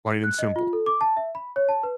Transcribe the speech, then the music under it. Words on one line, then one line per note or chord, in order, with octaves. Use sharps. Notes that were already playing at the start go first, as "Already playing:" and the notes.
Plain and simple.
F#6
D#5
F4
A4
D6
A5
E5
B5
C#5
A5
B4